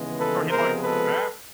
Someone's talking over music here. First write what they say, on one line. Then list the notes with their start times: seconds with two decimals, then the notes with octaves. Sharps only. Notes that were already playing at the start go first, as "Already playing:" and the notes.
So, he likes baths?
Already playing: D#2 C#3 E3 G#3 B3
0.18 A4 B4
0.50 C#2 C3 F3 G#3 B3 A#4 C5
0.83 A4 B4